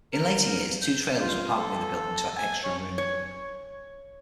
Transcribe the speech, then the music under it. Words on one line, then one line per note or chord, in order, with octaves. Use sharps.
In later years, two trailers were parked near the building to add extra room.
A#4
G6
F4
A4
G#5
C#5
C#5